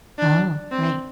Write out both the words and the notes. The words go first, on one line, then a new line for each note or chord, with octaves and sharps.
Oh, right.
D4
C4